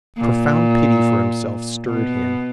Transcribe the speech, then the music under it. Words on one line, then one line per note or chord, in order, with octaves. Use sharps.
A profound pity for himself stirred him.
A#2
B2